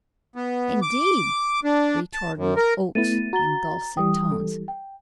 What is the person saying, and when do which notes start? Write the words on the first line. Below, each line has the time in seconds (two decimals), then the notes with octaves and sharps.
"Indeed!" retorted Oakes in dulcet tones.
0.36 B3
0.82 D6
1.64 D4
2.14 A5
2.37 F#2
2.56 A#4
2.95 A3 B3 E4 A6 D#7
3.33 F#4 A#5 A6 G7
3.97 E3 G3 G5 D#6
4.32 A4
4.68 G5